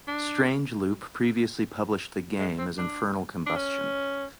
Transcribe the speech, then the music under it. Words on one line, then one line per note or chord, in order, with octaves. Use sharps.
Strange Loop previously published the game as Infernal Combustion.
D4
G#3
C4
D4
D4
C#4